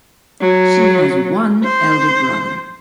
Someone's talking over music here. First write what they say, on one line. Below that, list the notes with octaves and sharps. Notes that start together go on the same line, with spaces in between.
She has one elder brother.
F#3
C5